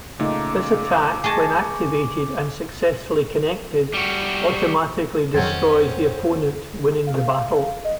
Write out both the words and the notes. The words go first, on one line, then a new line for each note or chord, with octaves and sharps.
This attack, when activated and successfully connected, automatically destroys the opponent, winning the battle.
A#2 C#3 A3 D#4 D6
G#4 D#5 G#5 A5 C#6 A#6
G3 F#4
F2 D#3 F#3 C4 C#4 F#5 G#6 A6
F5
D#5